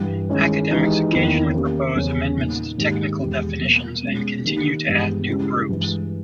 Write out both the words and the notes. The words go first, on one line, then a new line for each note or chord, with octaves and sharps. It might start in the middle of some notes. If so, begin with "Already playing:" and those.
Academics occasionally propose amendments to technical definitions and continue to add new groups.
Already playing: G2 E3 G3
D#3 G#3 C#4 E4
E3 G#3 D#4 G4
E2 D#3 A#3 E4
D#3 A#3 C#4 G4
E2 C#3 G3 C#4
A#2 A#3 D#4
G#2 D#3 A#3 D#4 G4
E2 B2 G#3 B3 G4
B2 G3 A#3
B2 G#3 C#4
D#3 A#3 D#4 G4
G2 E3 G#3 B3 G4
C#3 G#3 C#4 E4 G4
G2 E3 G#3